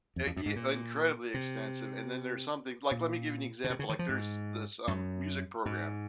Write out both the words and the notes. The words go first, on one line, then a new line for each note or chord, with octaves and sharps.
Uh, ye incredibly extensive, and then there's something like, let me give you an example, like there's this, um, music program
F2
F2
F#2
G#2
A#2
C3
A#2
C#3
C3
C#3
D#3
F3
G#2
F#2
G#2